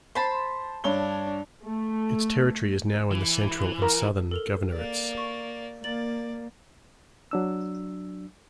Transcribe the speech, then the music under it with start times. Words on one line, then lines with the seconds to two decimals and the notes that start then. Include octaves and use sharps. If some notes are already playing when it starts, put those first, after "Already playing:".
Its territory is now in the Central and Southern Governorates.
0.15 C5 A5 B5 C6
0.84 G2 D4 C#5 G7
1.65 A3
3.11 E3
3.82 A#4
4.31 A4 A#4 F7
4.73 A#3 D5
5.18 C#6
5.84 A#3 D5 A6 F#7
7.31 F#3 D4 E6